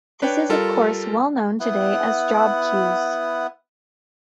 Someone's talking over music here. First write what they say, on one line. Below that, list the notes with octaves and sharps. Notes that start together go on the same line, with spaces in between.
This is of course well known today as job queues.
D4 B4 C#5 G5
G3 F4 A4 A#4
B3 E4 F#5